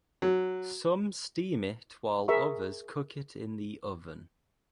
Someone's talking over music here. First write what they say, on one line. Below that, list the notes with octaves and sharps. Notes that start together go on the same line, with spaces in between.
Some steam it while others cook it in the oven.
F#3
G#4 A#4 E5 A#5 C#6